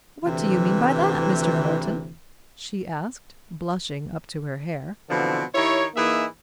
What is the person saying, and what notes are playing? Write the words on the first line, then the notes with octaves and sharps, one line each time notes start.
"What do you mean by that, Mr. Morton?" she asked blushing up to her hair.
D2 C3 E3
B2 D3 E3 F3 C4
D#3 E4 G4 C#5
E3 A#3 D#4 G#4 D#5 E5